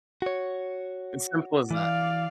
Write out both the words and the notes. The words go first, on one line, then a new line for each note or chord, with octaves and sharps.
It's simple as that.
F#4 C#5
E3 D5 F5